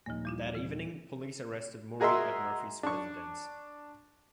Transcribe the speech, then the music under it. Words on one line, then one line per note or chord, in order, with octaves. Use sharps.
That evening, police arrested Moore at Murphy's residence.
D#1 F3 A#3 D#4
G3 E4 F4
E3
F#4 G#4 A#4 D#5 E5 C6
D4 C#6